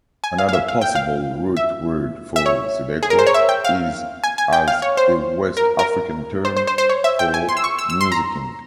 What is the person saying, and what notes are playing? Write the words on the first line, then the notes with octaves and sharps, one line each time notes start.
Another possible root word for zydeco is as a West African term for "musicking".
G#5
F5
F5
E5
F5
G5
F5
E5
E5
C#5
G#4
A#4
C5
C#5
E5
G5
F5
G#5
G#5
G5
F5
C#5
C5
A#4
A#4
C5
C5
C5
C5
C#5
E5
G5
G#5
C6
E6
C#6
E6
E6
C6
A#5